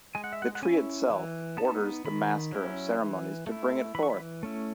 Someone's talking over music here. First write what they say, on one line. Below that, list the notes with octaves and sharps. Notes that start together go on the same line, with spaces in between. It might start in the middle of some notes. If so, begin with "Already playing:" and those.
The tree itself orders the master of ceremonies to bring it forth.
G#3 G#5
F#5
E5
F#5
F#5
C#4 E4 G#5
E3
B3 D#4 A5
D#3 B5
F#3 C#4 E4
E3
A3 E4
E3 B5
C#6
B5
A3 C#4 E4